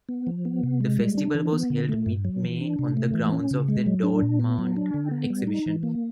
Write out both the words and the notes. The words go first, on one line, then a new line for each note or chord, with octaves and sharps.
The Festival was held mid-May on the grounds of the Dortmund exhibition.
B3
F3
B3
C3
G#3
G3
D4
E3
B3
D3
A3
G2
F#3
E3
D4
C3
A3
E3
C#4
C#3
G#3
F#3
D4
A#2
B3
F#3
D4
D3
B3
G3
D#4
E3
A#3